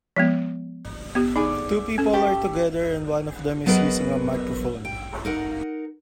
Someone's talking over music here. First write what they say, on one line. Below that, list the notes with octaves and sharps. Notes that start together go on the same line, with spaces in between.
Two people are together and one of them is using a microphone.
F3 G#3 B3
B3 G4
D3 D#4 G#4 D5
C#4 A4
A3 G4
F#3 B3 G#4 A#4 B4 D#5
G5
D#4 A#4 F#5